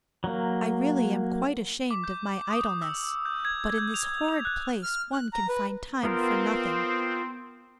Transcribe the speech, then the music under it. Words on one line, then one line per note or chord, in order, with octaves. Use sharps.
I really am quite ashamed of my idleness; but in this horrid place one can find time for nothing.
F#3 A#3
D6
G6
D#6
E6
G6
G#6
G6
F7
F7
F#6
F6
F#6
A#5
B4
B3 C4 F4 A#4 C5